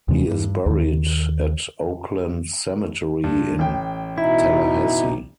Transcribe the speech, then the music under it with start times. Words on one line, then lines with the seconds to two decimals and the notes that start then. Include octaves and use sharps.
He is buried at Oakland Cemetery in Tallahassee.
0.08 D#2 C3 E3 G#3
0.28 G2
0.66 D#2 D#3
3.24 G2
3.59 A1 G5
4.18 B2 D#4 E4 E5